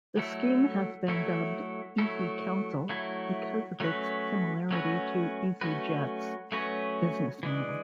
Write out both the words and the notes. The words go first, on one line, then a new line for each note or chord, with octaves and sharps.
The scheme has been dubbed easyCouncil because of its similarity to EasyJet's business model.
F#3 A3 E4 A4
F#3 A3 E4 A4
F#3 A3 E4 A4
F#3 A3 E4 A4
F#3 A3 C#4 F#4 B4
F#3 A3 C#4 F#4 B4
F#3 A3 C#4 F#4 B4
F#3 A3 C#4 F#4 B4
E3 G#3 D4